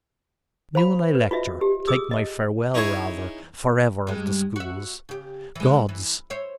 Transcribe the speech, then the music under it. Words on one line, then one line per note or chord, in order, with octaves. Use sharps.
At noon I lecture.... take my farewell, rather, for ever of the schools....Gods!
C5 F5 B5
B4
F4 F#4 D#5 E5
G4
G#4 D#6 E6
D#5
D#4 E4 G#4 C#5
G2 G#3
F#4 E5
C#3 G4
E3 G#3
E3
C5 C#5 E5